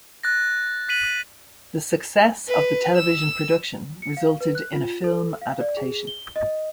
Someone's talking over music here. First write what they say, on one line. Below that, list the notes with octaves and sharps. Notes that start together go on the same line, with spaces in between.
The success of the television production resulted in a film adaptation.
F#6 A6 A#6
F#6 B6 D#7 F#7
B4
E6
C#7
F5
B4
F#6
F4
A4
F5
D5
G#4
G7
D#5